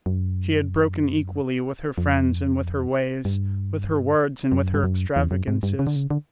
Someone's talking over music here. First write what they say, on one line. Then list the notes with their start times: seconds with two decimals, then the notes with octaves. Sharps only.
She had broken equally with her friends and with her ways, with her words and with her extravagances.
0.06 F#2
1.98 F2
3.25 G2
4.52 F#2
4.74 G2
4.84 F#2
5.16 E2
5.31 F#2
5.48 G#2
5.63 G2
5.79 C#3
5.87 D3
5.96 C#3
6.10 D3